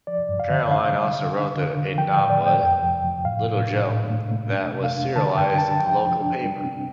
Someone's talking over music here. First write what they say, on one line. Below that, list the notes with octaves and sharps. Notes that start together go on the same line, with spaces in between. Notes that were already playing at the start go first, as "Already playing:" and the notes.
Caroline also wrote a novelette "Little Joe" that was serialised in the local paper.
F3 D5
G2
F5
D3
D4 F5
G3
D3
D4
D3
D3
F3 G5
A2 G5
D5
A3
G5
F2 G5
F3
F3
A2 F5
A2
D4
A2
A3
A3
D4
C3
F5
D4
D3 A5
G2 G5
D4 A5
A5
F3 G5
F3
D4
G3
C4